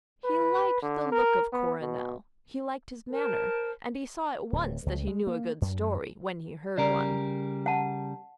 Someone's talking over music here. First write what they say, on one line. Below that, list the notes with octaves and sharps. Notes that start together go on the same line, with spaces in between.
He liked the look of Coronel, he liked his manner, and he saw at once that he knew a good story--when he heard one.
B4
D3
A#4
B3
B2
A#4 C5 A5
D1
C#2
G#3
A#3
F#2
C#3 G3 A#4 D5
F#5 A5